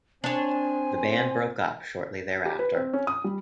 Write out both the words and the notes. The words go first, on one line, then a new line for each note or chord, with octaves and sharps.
The band broke up shortly thereafter.
C4 D4 C#5 G#5
G4
B4
C4
C#4
D#6
G3